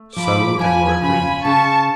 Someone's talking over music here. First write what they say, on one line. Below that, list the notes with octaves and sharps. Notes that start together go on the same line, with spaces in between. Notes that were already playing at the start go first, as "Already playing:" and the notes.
So they were agreed.
Already playing: A3
F3 B5 D6
F3 G#5 B5
C#3 G#5 B5
C#3 A5 C#6